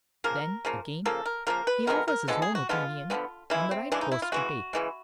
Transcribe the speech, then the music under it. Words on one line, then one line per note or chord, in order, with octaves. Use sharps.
Then, again, he offers his own opinion on the right course to take.
C#3 F3 A#3 A#4
C#3 F3 A#3
C#3 F3 A#3 A4
A#4
C#3 F3 A#3 A#4
B4
D3 F3 G#3 B3 A#4
A#4
D3 F3 G#3 B3 A4
G#4
F#4
D3 F3 G#3 B3 F4
D3 F3 G#3 B3
C#3 E3 G#3 E4
C4
C#3 E3 G#3 D4
D#4
E4
F4
C#3 E3 G#3 F#4
C#3 E3 G#3